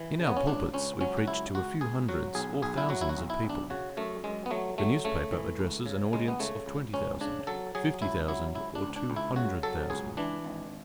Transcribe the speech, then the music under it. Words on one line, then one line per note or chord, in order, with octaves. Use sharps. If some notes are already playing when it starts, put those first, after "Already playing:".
In our pulpits we preach to a few hundreds or thousands of people; the newspaper addresses an audience of twenty thousand, fifty thousand, or two hundred thousand.
Already playing: E3
C#3
B3
C#4
C#2 D4
C#2 C#4
F#3 C#4
F#4
C#2 E4
C#2 F#4
C#2 G#4
F#3 F#4
B1 G#4
B1 G#4
E4
F#3 F#4
E4
F#4
B1
E4
B1
D4
C#3 F#4
F#2 A3
F#2 G#3
B3
F#3 A3
F#3 A3
C#3 A3
E3
C#2
C#3
C#2 G#3
B3
C#3 A3
C#2
C#2 C#4
C#3 D4
F#3 A4
F#3 G#4
C#2 E4
F#3 E4
C#2 E4
D4
C#2
D4
C#2
E4
C#3 F#4
F#3 A4
C#2 G#4
E3 D4
G#1